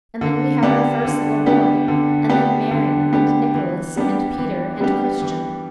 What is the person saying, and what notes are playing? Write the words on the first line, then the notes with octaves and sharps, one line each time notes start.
And then we had our first little boy, and then Mary, and Nicholas, and Peter, and Christian.'
D3
B3 D4 G4
D3
B3 D4 G4
D3
B3 D4 G4
D3
B3 D4 G4
E3
G3 B3 D4 G4
E3
G3 B3 D4 G4
E3